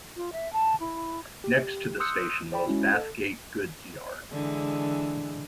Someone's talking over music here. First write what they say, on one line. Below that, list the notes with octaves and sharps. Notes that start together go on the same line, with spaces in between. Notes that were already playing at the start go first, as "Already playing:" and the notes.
Next to the station was Bathgate goods yard.
F4
E5
A5
E4
G4
C6 D#6 E6 F#6 G6 C#7
C5 D5 G5 B5
G#3 C#4 E4 F#4
A4
D3 E3 G#3